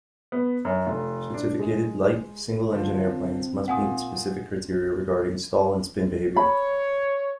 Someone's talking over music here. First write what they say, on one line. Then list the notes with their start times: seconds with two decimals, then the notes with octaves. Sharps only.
Certificated, light, single-engine airplanes must meet specific criteria regarding stall and spin behavior.
0.32 B3
0.65 F#2
0.87 F1
1.34 D4
1.59 G#3
2.72 D3 F3
3.03 C4
3.68 A#2 F#5 G#5 D#6
6.36 C#5 B5